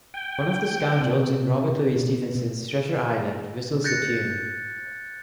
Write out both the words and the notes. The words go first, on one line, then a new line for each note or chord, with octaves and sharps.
One of the scoundrels in Robert Louis Stevenson's "Treasure Island" whistles the tune.
G5
C3
B2
F#6 G6 A6 A#6 C#7